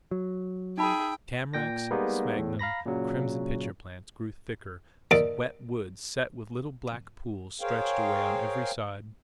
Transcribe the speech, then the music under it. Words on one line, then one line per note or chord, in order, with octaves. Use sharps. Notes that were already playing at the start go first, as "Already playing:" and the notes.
Tamaracks, sphagnum, crimson pitcher-plants grew thicker; wet woods set with little black pools stretched away on every side.
F#3
D#4 G#4 E5 G5 A5 B5
A#2 G5 A#6
G3 G#3 A#3 B3 D#4
E2 A2
F5 A#5 B5 A#6
A#2 C#3 F#3
D#2 D5 D6
G#4 A#4 C5 C#5 F5 G5